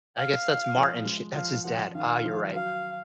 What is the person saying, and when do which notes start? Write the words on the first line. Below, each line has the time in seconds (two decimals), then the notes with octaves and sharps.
I guess that's Martin Sh that's his dad. Ah, you're right.
0.17 F5
0.76 F3
1.06 G#3
1.35 F3 F5
1.65 F3 F#5
1.95 D#3 F5
2.24 F3
2.54 F#3 F5